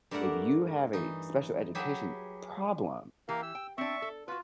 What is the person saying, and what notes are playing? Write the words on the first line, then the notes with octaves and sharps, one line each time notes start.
If you have a special education problem,
G2 A3 A#4 D5 F#5 A#5
E3 D#4
F#3 G4 G#4 B4 E5
E3 A#3 G4 A#4 F5
E6
G5
C4 D4 E5 C#6
A4
F4 F#4 B4